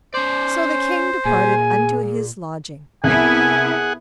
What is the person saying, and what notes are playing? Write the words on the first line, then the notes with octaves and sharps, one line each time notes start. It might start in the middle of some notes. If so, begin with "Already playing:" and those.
So the king departed unto his lodging.
C#4 C5 D5
A#2 G#4 G#5
C2 B3 E4 G#4 F#5 G#5